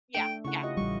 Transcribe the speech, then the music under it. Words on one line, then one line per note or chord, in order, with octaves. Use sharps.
Yeah, yeah.
A3 D4 G5
C#3 E4 F#5 C#6
F4 G4 D#5
A1 G3 C#6